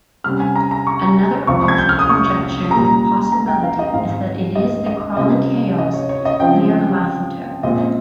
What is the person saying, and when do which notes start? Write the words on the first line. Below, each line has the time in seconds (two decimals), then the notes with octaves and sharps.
Another oft-conjectured possibility is that it is the Crawling Chaos, Nyarlathotep.
0.24 C3 G3 C#4 F6
0.40 G#5
0.56 A#5
0.71 A#5
0.87 C#6
1.47 C2 C3 F3 C4 F4 C#6
1.68 G#6
1.78 G6
1.89 F6
1.99 D#6
2.09 C#6
2.71 A#2 G3 A#3 A#5
3.32 A#5
3.48 G5
3.63 F5
3.79 D#5
3.94 G#2 D#3 G#3 C4 F5
4.55 D#5
4.86 D#5
5.17 C3 G3 C#4 F4 D#5
5.78 D#5
5.94 C#5
6.09 C#5
6.25 D#5
6.40 C#3 F3 C4 F4 G5
7.63 A#2 G#3 C4 F4 D#5
7.79 D#5